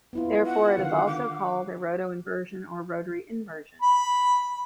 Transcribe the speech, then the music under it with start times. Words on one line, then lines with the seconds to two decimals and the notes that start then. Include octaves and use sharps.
Therefore it is also called a rotoinversion or rotary inversion.
0.13 B3 E4 F4
0.46 F#5
0.78 D3 D#3 F5
1.06 D6
3.82 B5